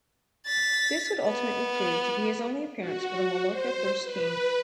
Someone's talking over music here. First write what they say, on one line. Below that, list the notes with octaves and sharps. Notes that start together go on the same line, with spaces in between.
This would ultimately prove to be his only appearance for the Mallorca first team.
A6 B6
B3
F#4
C5
B4